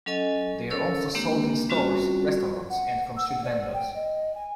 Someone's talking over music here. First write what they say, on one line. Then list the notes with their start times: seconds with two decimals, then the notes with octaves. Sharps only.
They are also sold in stores, restaurants, and from street vendors.
0.06 F#3 C#4 A4 D#5 G#5
0.70 C#4 A4 A#4 C#5 E6
1.15 G#3 A#3 C4 D4 G4
1.69 G3 C4 C#4 F4 F#4
2.70 F#5
3.17 E6
3.29 F#5
3.44 D5
3.73 G5
3.95 D#5
4.35 G#5